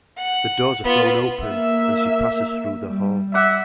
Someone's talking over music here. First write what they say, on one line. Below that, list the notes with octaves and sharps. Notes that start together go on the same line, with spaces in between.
The doors are thrown open, and she passes through the hall.
F#5
B3 F4
A#3 E5
G3
E5 F#5 D6